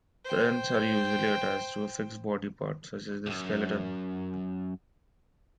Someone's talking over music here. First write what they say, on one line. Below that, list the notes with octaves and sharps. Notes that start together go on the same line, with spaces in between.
The ends are usually attached to a fixed body part such as the skeleton.
C5 G5
C#2 F#2